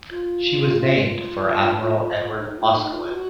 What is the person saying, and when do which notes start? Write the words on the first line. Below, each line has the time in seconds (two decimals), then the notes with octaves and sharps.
She was named for Admiral Edward Boscawen.
0.10 F4
0.98 F4
2.40 D#4
2.58 F4
2.71 F4
2.75 D#4
2.93 F4
3.10 F#4